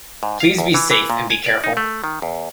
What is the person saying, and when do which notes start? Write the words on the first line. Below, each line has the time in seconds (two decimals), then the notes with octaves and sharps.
Please be safe and be careful.
0.23 G#2
0.40 F5
0.58 E2
0.74 E3
0.91 E3
1.10 A#2
1.30 G#5
1.46 D5
1.64 D#4
1.77 A3
2.04 D#3
2.22 E2